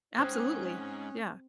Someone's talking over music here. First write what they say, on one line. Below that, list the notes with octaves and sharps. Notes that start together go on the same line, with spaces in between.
Absolutely. Yeah.
G#2 C4 C#4 D#6 F#6 G#6